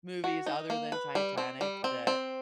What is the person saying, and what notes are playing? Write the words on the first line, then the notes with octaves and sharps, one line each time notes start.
movies other than Titanic that
F#4
D#4
A#3
B4
G3
C4
G3
C4
C4